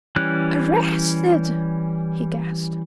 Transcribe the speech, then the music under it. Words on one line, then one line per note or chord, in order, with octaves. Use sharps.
"Arrested!" he gasped.
E3 G3 C#4 F#6